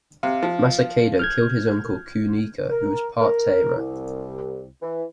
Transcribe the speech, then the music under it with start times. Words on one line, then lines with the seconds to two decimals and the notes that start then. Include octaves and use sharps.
Masakado killed his uncle Kunika who was part Taira.
0.23 C3 F5
0.42 F3
1.19 F6 G6 G#6
2.70 A#4
3.21 A#4
3.76 C2
4.83 E3